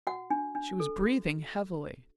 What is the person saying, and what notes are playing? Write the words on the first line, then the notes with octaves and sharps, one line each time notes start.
She was breathing heavily.
F#4 F#5
D4
D4
A4
F#4